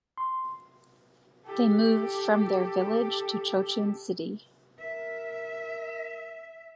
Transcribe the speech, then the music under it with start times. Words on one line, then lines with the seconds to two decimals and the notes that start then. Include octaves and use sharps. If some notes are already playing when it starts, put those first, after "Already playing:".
They move from their village to Cochin City.
0.18 C6
1.46 G4 A4
4.80 A#4 E5